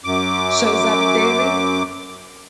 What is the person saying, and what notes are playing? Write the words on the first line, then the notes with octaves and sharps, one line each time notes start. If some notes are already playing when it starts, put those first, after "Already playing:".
shows up daily?
F#2 D6